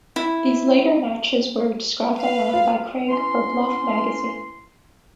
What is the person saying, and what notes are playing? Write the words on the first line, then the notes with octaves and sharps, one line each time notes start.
These later matches were described online by Craig for Bluff Magazine.
E4
B4 F5
F4
E3 C#4 C6